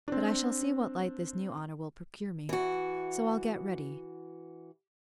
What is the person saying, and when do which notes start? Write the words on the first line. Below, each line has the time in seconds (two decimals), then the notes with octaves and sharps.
But I shall see what light this new honour will procure me!--So I'll get ready.
0.08 C4 D4
2.49 E3 F#4